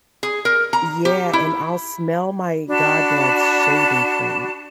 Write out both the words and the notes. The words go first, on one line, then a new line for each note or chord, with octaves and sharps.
Yeah, and I'll smell my goddad's shaving cream,
G#4
A#4
A#5
G4
E4
D4 F#4 A5 B5